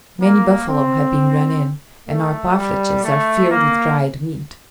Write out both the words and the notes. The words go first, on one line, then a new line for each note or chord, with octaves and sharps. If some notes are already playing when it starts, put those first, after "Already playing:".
Many buffalo have been run in, and our parfleches are filled with dried meat.
A#3
C4
A3
G3
A3
A#3